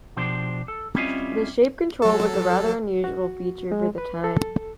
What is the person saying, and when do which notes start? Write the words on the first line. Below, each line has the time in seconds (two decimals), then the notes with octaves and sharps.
The shape control was a rather unusual feature for the time.
0.17 B2 F3 D4 G4 C5
0.68 A4
0.95 G3 C4 C#4 E4 F4 D#5
2.02 F#3 A4
3.04 F#4
3.72 G#3
3.98 B4
4.24 A4